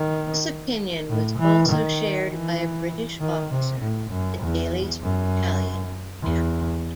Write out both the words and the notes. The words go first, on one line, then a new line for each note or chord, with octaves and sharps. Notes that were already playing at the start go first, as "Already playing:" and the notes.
This opinion was also shared by a British officer that Daly's battalion had captured.
Already playing: D#3
A2
E3
D#3
E3
D#3
C3
A2
F#2
E2
F#2
E2